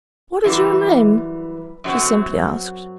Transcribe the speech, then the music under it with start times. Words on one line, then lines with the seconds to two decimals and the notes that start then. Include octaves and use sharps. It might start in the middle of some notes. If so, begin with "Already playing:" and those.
"What is your name?" she simply asked.
0.44 F#2 E3 G3
1.84 F#2 F#3 C4